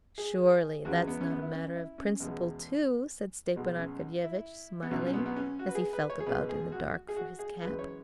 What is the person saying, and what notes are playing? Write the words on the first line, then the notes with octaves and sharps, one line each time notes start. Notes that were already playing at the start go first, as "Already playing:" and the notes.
"Surely that's not a matter of principle too," said Stepan Arkadyevitch, smiling, as he felt about in the dark for his cap.
G#4
E2 C#3 E3 G#3 F#4
B3
C#4
B3
E4
C#4
E4
C#4
E2 B2 G#3
B1 B2 G#3
C#4
E4
B3
B1 B2 F#3 C#4
C#4
B3
B3
C#4
F#4
B4
G#4
B4
C#5
G#4
C#2 B2 G#3 B4
G#4
F#4
G#4
F#4
G#4
F#2 E3 G#3 B4
C#5